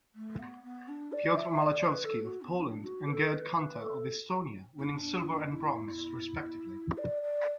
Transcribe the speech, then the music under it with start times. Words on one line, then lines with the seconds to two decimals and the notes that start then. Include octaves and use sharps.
Piotr Malachowski of Poland and Gerd Kanter of Estonia winning silver and bronze, respectively.
0.14 A3
0.38 B3
0.63 B3
0.88 D4
1.12 D5
1.36 E5
1.62 D5
1.85 B4
2.04 A4
2.22 F#4
2.41 B3
2.59 D4
2.83 F#4
3.07 B4
3.12 A4
3.32 B4
3.56 B4
3.81 A4
4.78 E4
4.83 D4
5.51 E4
6.97 D5
7.22 D5